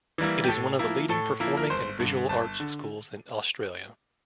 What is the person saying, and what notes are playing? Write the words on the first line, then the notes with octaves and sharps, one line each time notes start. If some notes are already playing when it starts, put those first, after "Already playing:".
It is one of the leading performing and visual arts schools in Australia.
E3 G3 A#3 E4
G4
A2 A4
F3 A#3 E4
A2 A4
F3 A#3 E4
A#4
G1 C5
G2 D3
G1 A5
D3